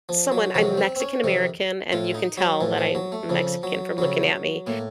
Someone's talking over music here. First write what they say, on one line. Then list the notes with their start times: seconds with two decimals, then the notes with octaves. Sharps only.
someone I'm Mexican American, and you can tell that I'm Mexican from looking at me,
0.09 F3
0.32 F#3
0.55 F2 C3 D#3 F#3
0.77 C4
0.96 C4
1.00 C#4
1.24 F2 C3 D#3
1.92 A2 F4
2.14 D#4
2.37 F#3
2.61 A2 F3
2.78 F3
2.95 F#3
3.12 A3
3.29 F2 C#3 F3
3.63 F#3
3.98 F2 C#3 F#3
4.67 A2 A#3